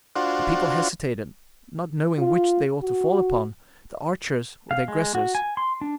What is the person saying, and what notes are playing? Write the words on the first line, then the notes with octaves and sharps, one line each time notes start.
The people hesitated, not knowing which they ought to fall upon, the archers or the aggressors.
D4 F4 F#4 C5
F4
F#4
F5
G#3
F#4
G#5
C6
D4